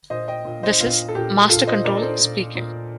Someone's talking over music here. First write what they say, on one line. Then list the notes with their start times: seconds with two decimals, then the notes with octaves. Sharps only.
This is "Master Control" speaking.
0.10 A#2 C5 D#5
0.28 D#5 G5
0.45 A#2
0.63 C5 D#5
0.80 A#2 F4
1.08 A4
1.15 A#2 G4
1.49 A#2 F4 A4
1.67 C5 D#5
1.84 A#2 A#4 D5
2.02 A4 C5
2.19 A#2
2.55 A#2